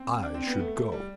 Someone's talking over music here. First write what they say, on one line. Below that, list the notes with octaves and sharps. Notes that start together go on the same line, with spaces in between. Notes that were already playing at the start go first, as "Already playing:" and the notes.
"I should go."
Already playing: C4
D4
C4
B3
A3
A3
G3